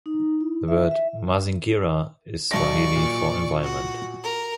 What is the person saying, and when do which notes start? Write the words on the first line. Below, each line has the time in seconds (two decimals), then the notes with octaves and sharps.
The word "Mazingira" is Swahili for "environment".
0.06 D#4
0.41 E4
0.68 E5
0.91 E5
2.51 B1 D5 A5 C#6 A#6
2.96 A#2
3.63 F#4
4.23 A#4